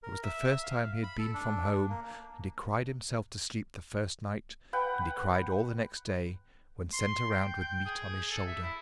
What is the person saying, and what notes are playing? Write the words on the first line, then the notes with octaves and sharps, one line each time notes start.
It was the first time he had been from home, and he cried himself to sleep the first night, and he cried all the next day when sent around with meat on his shoulder.
A#4
E5
F5
B5
A4
D4
A#3
B4 F#5 G5
C6
G5
G5
G#4
A4
E5
E4